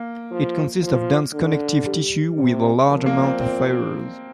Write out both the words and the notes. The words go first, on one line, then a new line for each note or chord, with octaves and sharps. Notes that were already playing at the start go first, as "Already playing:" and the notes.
It consists of dense connective tissue with a large amount of fibers.
Already playing: A#3
F3
F3
D3
G3
C3
A#2 F3
A#3
C4
C4